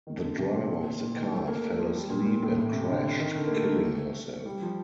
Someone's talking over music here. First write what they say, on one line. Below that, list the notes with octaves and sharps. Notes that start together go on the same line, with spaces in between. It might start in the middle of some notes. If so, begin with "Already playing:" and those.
The driver of the car fell asleep and crashed, killing herself.
D#3
D3
C3
A#2
A#2
D#3
A3
A#3
A3
F3
G3
A#2
A#2
A2
A2
C3
D3
D#3
D3
A#3
A3
G3
F3